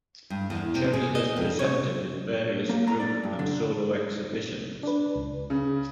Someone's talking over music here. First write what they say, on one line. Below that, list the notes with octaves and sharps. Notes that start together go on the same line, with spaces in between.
Cherry has presented in various group and solo exhibitions.
G2
E2
C3
G#4
D#5
F2
C#5
A#3
A#5
D5
G2
D3
D4 B4
C#2
C#3